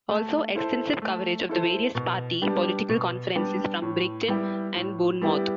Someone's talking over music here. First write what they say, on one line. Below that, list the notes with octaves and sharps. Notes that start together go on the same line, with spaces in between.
Also extensive coverage of the various party political conferences from Brighton and Bournemouth.
A3
E4 A4 C5
A3
E4 A4 C5
B2
G3 B3 D4 G4
B2
G3 B3 D4 G4
A2
G3 B3 E4 G4
A2
G3 B3 E4 G4